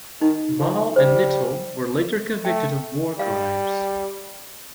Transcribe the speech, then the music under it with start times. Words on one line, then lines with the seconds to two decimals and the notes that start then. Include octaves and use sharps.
Mahl and Knittel were later convicted of war crimes.
0.21 D#3 D#4
0.59 F3
0.96 G3 C5
2.45 A3 G5
3.19 G3 F5